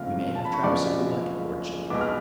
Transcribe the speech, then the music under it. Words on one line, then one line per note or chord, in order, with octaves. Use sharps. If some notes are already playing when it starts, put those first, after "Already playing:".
"We may have traps if we like it, Lord Chiltern."
Already playing: F#1 F2 F3 A3 F5 F6
A5
B5
C#6
F#1 F#2 F3 G#3 B3 D5 D6
B1 B2 G#3 B3 D6
F6